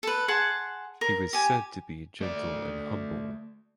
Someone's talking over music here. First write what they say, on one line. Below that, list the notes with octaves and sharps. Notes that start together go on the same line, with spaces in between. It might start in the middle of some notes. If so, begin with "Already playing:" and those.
He was said to be gentle and humble.
A4 B4
G#4 F#5 A5 C6
A#4
G4 G#5
A3 D5